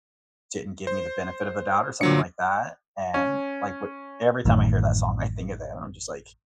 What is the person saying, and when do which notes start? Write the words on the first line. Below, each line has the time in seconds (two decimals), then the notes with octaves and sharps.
didn't give me the benefit of a doubt or something like that. And, like but every time I hear that song, I think of them, I'm just like,
0.87 C5
2.01 A#2 D3 F#3 D4 C#7
3.14 C#4
4.45 A1 F#2 A2 D#3